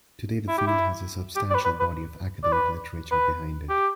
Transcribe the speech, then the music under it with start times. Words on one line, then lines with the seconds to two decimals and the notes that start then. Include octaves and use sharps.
Today, the field has a substantial body of academic literature behind it.
0.48 E4
0.58 G4
0.67 E4
1.36 G4
1.50 D5
1.55 B4
1.65 B4
1.80 B4
2.44 D5
2.52 B4
3.11 B4
3.69 G4